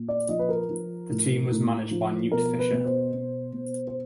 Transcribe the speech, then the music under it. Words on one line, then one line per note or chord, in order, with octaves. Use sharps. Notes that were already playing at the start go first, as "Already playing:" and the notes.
The team was managed by Newt Fisher.
Already playing: A#2
D5
F3 D#5
B4
A#4
F3
A2
A2
F3
B2 A#4
B4
B2
C5
B2
B2
C5